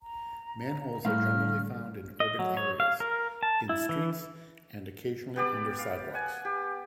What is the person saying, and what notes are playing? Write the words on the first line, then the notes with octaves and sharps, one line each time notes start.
Manholes are generally found in urban areas, in streets and occasionally under sidewalks.
A#5
A2 G3 F5 F6
D#5
F#3
C#5
F5
A#4
A5
E4
E3
B3 G4 D5
F5
F#5 G#5
G4